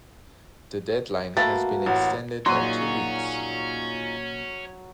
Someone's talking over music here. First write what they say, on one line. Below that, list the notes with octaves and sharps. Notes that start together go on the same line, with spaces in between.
The deadline has been extended by two weeks.
A3 A#3 F#4 B4 A6
A1 F#5
A#2 F#3 D#4 F4 G#4 C#5 G#5 C6